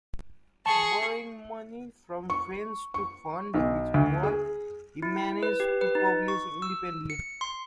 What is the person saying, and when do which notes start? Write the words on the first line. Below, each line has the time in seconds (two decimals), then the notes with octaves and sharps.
Borrowing money from friends to fund his work he managed to publish independently.
0.66 G#4 A5 C#6
2.30 C#6
2.94 C#6
3.54 B1
3.94 D2
4.23 G#4
5.02 E4
5.43 B4
5.60 G4
5.81 B4
5.95 D#4
6.28 C#6
6.62 E6
7.10 C#7
7.41 C6